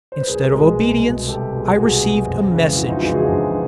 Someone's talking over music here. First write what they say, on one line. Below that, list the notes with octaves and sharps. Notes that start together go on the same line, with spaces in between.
Instead of obedience, I received a message.
C5
B4
C2 G#4 A#4
B2 G#3
C2
B2 G#3
C2 G4 A4
B2 G#3
C2 F#4 G#4
B2 G#3
F2
C#3 E3 G#3
F2 E4 F#4
D#4 F4
C#3 E3 G#3 E4 F#4
F#4 G#4
F2 D4
C#3 E3